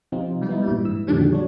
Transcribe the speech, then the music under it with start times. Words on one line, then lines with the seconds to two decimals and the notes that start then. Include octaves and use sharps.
Mhm. Mhm.
0.12 C3 F3 C4 D#4 F4
0.49 B3 D#4 E4
0.68 G2 A#2 E3 G3
0.84 G#2 E3 E6
1.08 F2 A#2 D3 D#3 F3 G3
1.33 F#3 D4 C#5